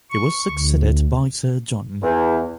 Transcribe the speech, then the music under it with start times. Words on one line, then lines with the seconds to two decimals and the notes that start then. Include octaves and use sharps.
He was succeeded by Sir John.
0.11 C#6
0.49 D2
2.02 E2